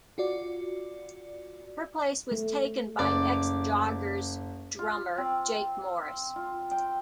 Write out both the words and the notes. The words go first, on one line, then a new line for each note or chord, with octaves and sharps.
Her place was taken by ex-Joggers drummer Jake Morris.
F4 F#4 D5
A3
F#1 D5
F4
C4
F4
G5